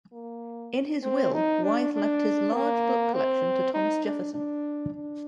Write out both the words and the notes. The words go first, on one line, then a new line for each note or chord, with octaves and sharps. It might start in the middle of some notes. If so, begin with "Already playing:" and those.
In his will, Wythe left his large book collection to Thomas Jefferson.
A#3
C4
D#4
D4
D4
A#3
C4
D#4
D4
D4
D4